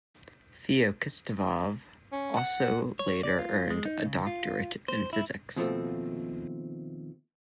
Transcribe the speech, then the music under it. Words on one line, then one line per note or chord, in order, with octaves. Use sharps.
Feoktistov also later earned a doctorate in physics.
C#4
F#5
C#5
D5
F4
G#3
D#4
C#3
F4
C5
E4
D#2 B2 F3 G3 A3 C4